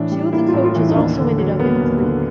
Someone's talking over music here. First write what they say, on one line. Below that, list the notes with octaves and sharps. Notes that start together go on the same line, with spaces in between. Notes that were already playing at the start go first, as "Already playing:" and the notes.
Two of the coaches also ended up in the creek.
Already playing: A2 E3 D4
G3
A#3 E4
F4
A2
F4
E3 E4
D#4
D#2 D4
D3
F#3
A#3 B3
D#2
D3